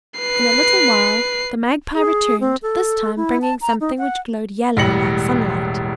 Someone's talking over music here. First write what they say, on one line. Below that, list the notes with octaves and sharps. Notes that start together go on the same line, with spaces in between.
In a little while the Magpie returned, this time bringing something which glowed yellow like sunlight.
B4 C7
G#4
C4
A4
E4
A5
A#5
D#4
F#5
E1 A1 G3 A#6 C#7 F#7